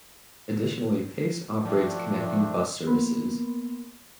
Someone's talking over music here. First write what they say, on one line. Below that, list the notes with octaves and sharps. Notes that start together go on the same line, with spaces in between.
Additionally, Pace operates connecting bus services.
F3 A3 C4 D4
A#3 B3 A#4 B5 C6